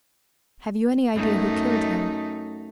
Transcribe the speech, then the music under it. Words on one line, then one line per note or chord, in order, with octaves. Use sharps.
"Have you any idea who killed him?"
F#2 A3 D#4